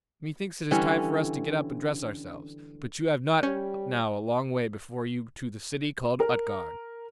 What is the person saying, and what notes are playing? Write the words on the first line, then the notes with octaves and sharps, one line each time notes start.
Me thinks it is time for us to get up and dress ourselves; but you have not now a long way before you to the city called Utgard.
D3 E3 G3 C#4
G3 C#4 C#5
A#4